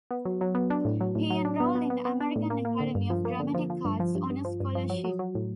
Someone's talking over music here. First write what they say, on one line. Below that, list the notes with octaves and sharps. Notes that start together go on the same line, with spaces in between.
He enrolled in the American Academy of Dramatic Arts on a scholarship.
B3
F#3
F#3
B3
D4
A2
F#3
A2
F#3
D4
B3
B3
B3
B3
D4
A2
A#3
A#3
D3
G2
F3
A#3
D3
F3
F3
G2
F3
G2
G2
F3
G2
F3
F#3
F#3
F#3
A2